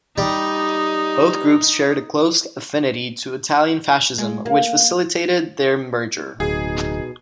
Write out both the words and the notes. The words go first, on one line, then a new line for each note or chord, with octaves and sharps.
Both groups shared a close affinity to Italian fascism which facilitated their merger.
G3 D#4
G#3
A#3
D1 B2 D#4 G#4